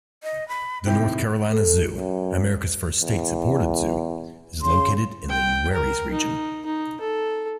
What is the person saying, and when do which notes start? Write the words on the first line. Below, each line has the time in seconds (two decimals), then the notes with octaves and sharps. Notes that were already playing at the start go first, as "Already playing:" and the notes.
The North Carolina Zoo, America's first state-supported zoo, is located in the Uwharries region.
0.23 D#5
0.48 B5
0.86 A2 C3 D#3 G5
1.52 A4
1.94 F#2
3.00 E2
4.62 C#3 C6
5.30 G5
5.73 A#4
6.12 D#4
6.66 D#4
7.01 A4